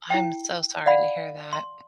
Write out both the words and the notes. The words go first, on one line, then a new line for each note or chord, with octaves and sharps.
I'm so sorry to hear that.
E4 G5
D5 F5 F#5 B5
C6